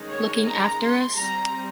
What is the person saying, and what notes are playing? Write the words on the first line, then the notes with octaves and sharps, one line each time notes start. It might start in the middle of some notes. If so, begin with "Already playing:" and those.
Looking after us.
Already playing: D#3 G#3 C#4
C#5
A#5
C6
G3 C4 A#5